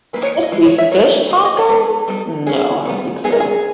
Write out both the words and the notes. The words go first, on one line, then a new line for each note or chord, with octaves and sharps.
Crispy fish taco? No, I don't think so.
E3 A#3 D#4 B4
C#5
D#5
E3 G#3
C#5
E5
E3 A#3 D#4 C#5
D#3 A#3 D#4
D#5
C#5
G#3 B3 D#4 B4
G3 B3 D#4
G#3 C#4 G#4
D#3 G3 B3
G#3 B3 D#4 G#4
A#4
G#4